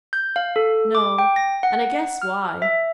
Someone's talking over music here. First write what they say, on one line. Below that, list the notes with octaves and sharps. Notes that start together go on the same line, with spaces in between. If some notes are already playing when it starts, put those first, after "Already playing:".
'No; and I guess why.
G6
F5
A4
D6
G5
A#6
F#5
F6
E5